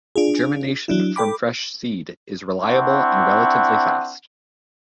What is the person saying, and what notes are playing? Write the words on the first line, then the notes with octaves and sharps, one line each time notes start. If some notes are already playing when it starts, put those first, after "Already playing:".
Germination from fresh seed is reliable and relatively fast.
D4 F4 G#4
F#3 D4 E4
A4 G5 B5 D6
C4 D4 E4 F#5 C#6